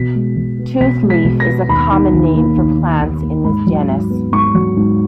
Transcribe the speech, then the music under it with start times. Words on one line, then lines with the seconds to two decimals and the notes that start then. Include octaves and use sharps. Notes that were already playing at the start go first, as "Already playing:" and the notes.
Toothleaf is a common name for plants in this genus.
Already playing: B2 B6
0.15 G#3
0.37 B2
0.59 B3
0.80 B2 B6
1.03 G#3
1.10 B6
1.25 B2
1.40 A#6
1.47 B3
1.69 D#2 B5
1.91 D#3
2.13 D#2
2.35 A#3
2.57 D#2
2.79 D#3
3.01 D#2
3.22 A#3
3.44 G#2 B5
3.67 F#3
3.89 G#2
4.10 B3
4.32 G#2 C#6
4.55 F#3
4.77 G#2